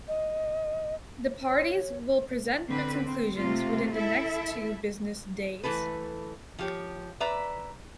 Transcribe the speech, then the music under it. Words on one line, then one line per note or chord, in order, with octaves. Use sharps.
The parties will present their conclusions within the next two business days.
D#5
C#5
D3 C4 B4
C4
C3 A3 F4
E4 A4 E5
E3 A3 A4 B4
F3 G4 C#5
B4 D5 E5 A#5